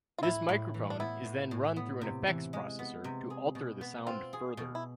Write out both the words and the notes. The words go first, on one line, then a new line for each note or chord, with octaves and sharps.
This microphone is then run through an effects processor to alter the sound further.
F4
A2 E4
A2
E3
D4
B3 E4
A2
A2
B3
C3
E3
G#3
B3
C3
G#4
B2
B3
C4 F4
G#4
B2
E4